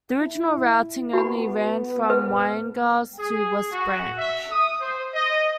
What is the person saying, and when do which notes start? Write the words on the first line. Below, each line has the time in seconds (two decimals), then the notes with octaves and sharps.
The original routing only ran from Winegars to West Branch.
0.20 E4
1.13 B3 F#4 B5
2.10 B4
3.18 G#4
3.71 F#4
4.17 E5
4.50 D#6
4.81 C5
5.14 D#5